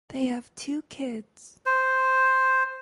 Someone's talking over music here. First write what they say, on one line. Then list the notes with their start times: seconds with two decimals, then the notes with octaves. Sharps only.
They have two kids.
1.66 C5